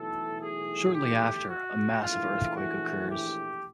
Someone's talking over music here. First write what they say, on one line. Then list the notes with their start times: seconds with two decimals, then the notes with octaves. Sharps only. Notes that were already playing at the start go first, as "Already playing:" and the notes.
Shortly after, a massive earthquake occurs.
Already playing: B1 A2 E3 A4
0.41 G#4
0.93 G4
1.48 F#4
2.01 A#1 A2 E3 F4
2.55 F#4
3.09 G4